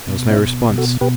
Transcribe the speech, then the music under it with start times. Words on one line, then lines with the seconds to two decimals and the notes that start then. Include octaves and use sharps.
There was no response.
0.07 B2
0.30 C#4 E4
0.38 B2
0.70 B2
0.78 F#4 A4
1.01 B2 G4 B4